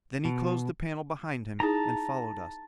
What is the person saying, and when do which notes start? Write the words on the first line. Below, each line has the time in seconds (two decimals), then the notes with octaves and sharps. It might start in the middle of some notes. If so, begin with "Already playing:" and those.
Then he closed the panel behind him and followed us.
0.25 B2
1.60 D#4 E4 G#4 A5 A#5